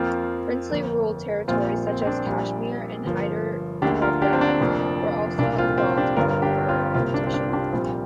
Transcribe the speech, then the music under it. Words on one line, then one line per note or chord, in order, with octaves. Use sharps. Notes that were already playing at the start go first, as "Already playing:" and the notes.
Princely-ruled territories, such as Kashmir and Hyderabad, were also involved in the Partition.
Already playing: F2 F3 A#3 C4 F4
G1 F2 F3 A#3
A#1 A#2 G3 A#3 C4 F4
C4
C4
D4
A#1 A#2 G3 A#3
G1 G2 F3 A#3
D2 D3 A#3 D4 G4
F4 A#4
D4 G4
C4
D4
F1 F2 F3 A#3
C2 A#2 A#3 D4
C4 F4
C4 F4
D4 G4
G1 G2 D3 F4 A#4
A#4
D4 G4
C4 F4
C2 C3 A#3 C4 F4
D4
C4
D4
F4
D4 G4
A#1 A#2 G3 A#3 C4 F4